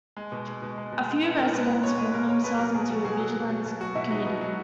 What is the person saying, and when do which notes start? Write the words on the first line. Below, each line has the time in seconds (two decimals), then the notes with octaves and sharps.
A few residents formed themselves into a vigilance committee.
0.17 G#3
0.32 B2
0.47 G#3
0.62 B2
0.77 G#3
0.92 B2
1.08 G#3
1.23 B2
1.38 G#3 A#4
1.53 B2 B4
1.68 G#3 B4
1.83 B2 C#5
1.98 G#3 B4
2.14 B2 A#4
2.29 G#3 C#5
2.44 B2 B4
2.59 F#3 A#4
2.74 B2 G#4
2.89 F#3 F#4
3.05 B2 G#4
3.20 F#3
3.35 B2
3.50 F#3
3.65 B2
3.81 F#3 F#4
3.95 B2 E4
4.11 F#3 D#4
4.26 B2 D#4
4.41 F#3 F#4